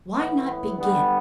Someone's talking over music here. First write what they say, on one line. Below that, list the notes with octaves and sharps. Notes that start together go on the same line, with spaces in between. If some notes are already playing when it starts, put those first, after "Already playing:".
Why not begin?
A2 E3 B3
D3 G3 B3